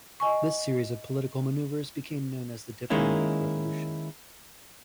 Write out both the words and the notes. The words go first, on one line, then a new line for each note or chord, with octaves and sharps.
This series of political maneuvers became known as the Diplomatic Revolution.
D#5 G#5 C#6
D#3 G#3 A#3 C#4 E4